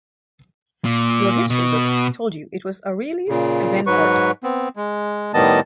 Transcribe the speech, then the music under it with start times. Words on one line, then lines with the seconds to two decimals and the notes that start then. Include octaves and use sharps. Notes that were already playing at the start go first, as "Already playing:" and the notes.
Your history books told you it was Aurelius Venport?
0.85 A#2
1.50 B2
3.29 A#2 C#3
3.87 G#2 F#3 B4 C#6
4.43 B3 C4
4.76 G#3
5.34 A2 D#3 G3 B3 D#5 A5